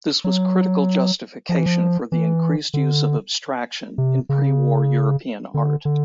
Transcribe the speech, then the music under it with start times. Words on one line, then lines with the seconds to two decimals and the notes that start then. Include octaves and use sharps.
This was critical justification for the increased use of abstraction in pre-war European art.
0.24 F#3
1.49 F3
1.58 E3
1.66 F3
2.12 E3
2.74 D3
3.98 C3
4.29 C#3
5.54 D3
5.85 D3